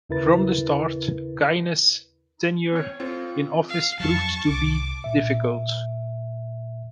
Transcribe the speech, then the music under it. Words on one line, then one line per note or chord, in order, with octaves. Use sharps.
From the start, Gaines's tenure in office proved to be difficult.
D#2 C#3 E4 A#4 B4 A6
C4 C#5
C4 F4 A4
F5
F2 F#3 A5 C#6
C2 D6
A#2 E5